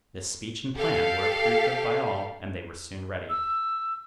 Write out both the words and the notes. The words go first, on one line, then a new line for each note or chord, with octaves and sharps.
This speech and plan were approved of by all, and they were soon ready.
G4 A4 F5
E6